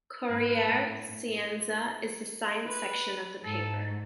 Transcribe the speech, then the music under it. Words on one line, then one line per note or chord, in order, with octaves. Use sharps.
"Corriere Scienza" is the science section of the paper.
G#2 B4
A2
A2
B4
G#2 A4